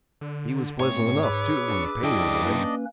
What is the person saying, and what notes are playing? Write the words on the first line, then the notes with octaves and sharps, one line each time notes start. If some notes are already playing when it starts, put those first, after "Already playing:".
He was pleasant enough, too, when the pain went away.
D3
G#2 A3 C4 C#5
G#4 B4 D6 E6
D4
F#2 D4 E4 D5 D#5 G5
A#3 C#4 B4